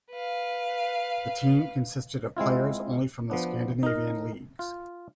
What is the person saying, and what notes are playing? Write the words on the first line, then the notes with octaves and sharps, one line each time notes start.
The team consisted of players only from the Scandinavian leagues.
B4 F5
G#3 C4 E4 F4
F3 B3 D4
D#4 A#4
F4